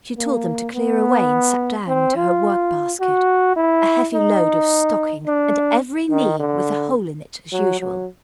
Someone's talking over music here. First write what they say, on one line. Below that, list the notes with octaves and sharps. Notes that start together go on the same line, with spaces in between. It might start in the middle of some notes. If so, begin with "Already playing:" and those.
She told them to clear away, and sat down to her work-basket: a heavy load of stockings and every knee with a hole in it as usual.
A#3
B3
C4
F4
F#4
E4
D#4
D4
D#3
D3
F#3
F#3